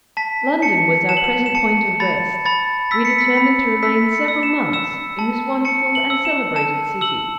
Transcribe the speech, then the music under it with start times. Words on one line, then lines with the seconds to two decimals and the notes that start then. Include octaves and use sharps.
London was our present point of rest; we determined to remain several months in this wonderful and celebrated city.
0.17 A5 B6
0.62 A5 C#7
1.09 A5 E7
1.17 F#7
1.24 E7
1.46 E7
1.55 A5 C#7
2.00 B5 A6
2.46 B5 A6
2.91 E6 B6
3.05 C#7
3.19 B6
3.37 B5
3.83 E6 B6
4.13 C#7
4.28 E6
4.43 E7
4.73 E6 E7
5.19 A5
5.65 A5 C#7
5.95 F#7
6.10 E6
6.25 E7
6.56 A5 E7
7.01 E6 F#7